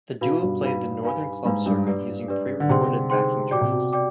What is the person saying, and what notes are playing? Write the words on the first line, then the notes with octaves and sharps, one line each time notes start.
The duo played the Northern club circuit using pre-recorded backing tracks.
B2 D#4 B4 F5 B5
G2
D#4 B4 F5 B5
D#4 B4 F5 G#5 B5
G#2 D#4 B4 F5 G#5 B5
G2
D4 G4 B4 D5
D4 G4 B4 D5
D3
C3 D#4 G#4 C5 G5 C6
D#4 G#4 C5 G5 C6
B2 G4 D5 G5 D6
C3
B2
D5 G5 D6